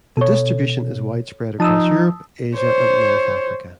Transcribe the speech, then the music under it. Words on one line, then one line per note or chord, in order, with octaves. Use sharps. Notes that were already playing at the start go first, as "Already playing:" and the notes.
The distribution is widespread across Europe, Asia and North Africa.
B2 A4 C#5
F3 D#4 A5 D#6 E6
C5 C#5